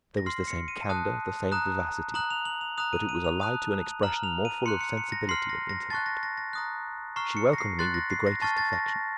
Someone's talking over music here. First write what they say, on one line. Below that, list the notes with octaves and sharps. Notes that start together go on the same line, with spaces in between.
There was the same candour, the same vivacity, but it was allied to an expression more full of sensibility and intellect. She welcomed me with the greatest affection.
A#6
C6 F6 C7
C#7
D#7
A5 D#6 F#6
A#5 D#6 F#6
A#5 D#6 F#6 F#7
F7
F#7
F7
A#5 D#6 F#6 F7
D#7
D#7
F7
A5 D#6 F#6
A#5 F6 F#7
F7
D#7
C6 F#6 C#7
C#7
C#7
A#6
C6 F6 C7
A#6
A#6
A5 C#6 F#6 A6
A#6
A#6
A#6
A#5 D#6 F#6
A#5 C#6 F6 C7
C#7
A#6
C7
C6 F#6 A6
A#6
C7
A#6
A5 C#6 F6 A6
A6
A#6
A#6